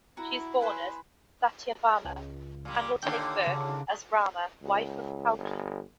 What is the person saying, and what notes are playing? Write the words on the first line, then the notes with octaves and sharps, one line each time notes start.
She is born as Satyabhama and will take birth as Rama wife of Kalki.
E4 F#4 A#5
G#4 B4 C5
C#2
A#2 G3
D#2 A#2 D3 G5
C#3
C#2
G1